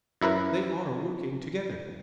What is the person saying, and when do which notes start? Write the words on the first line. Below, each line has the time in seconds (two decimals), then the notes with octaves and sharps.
They are working together.
0.22 F#2 E4 A#4 B4